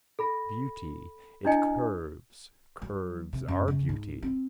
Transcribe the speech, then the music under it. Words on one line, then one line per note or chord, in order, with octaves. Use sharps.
Beauty: it curves: curves are beauty.
A4 B5 A#6
D4 E4 D#5 G#5
F#3
C3
F#2
C#3
G#2
C4